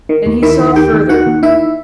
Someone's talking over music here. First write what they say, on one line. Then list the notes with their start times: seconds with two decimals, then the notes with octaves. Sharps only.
And he saw further.
0.09 D#3
0.26 D#2
0.42 D#3 E4 E5
0.59 D#2
0.76 D#3 G4 G5
0.93 D#2
1.09 D#3 F#4 F#5
1.26 D#2
1.43 D#3 E4 E5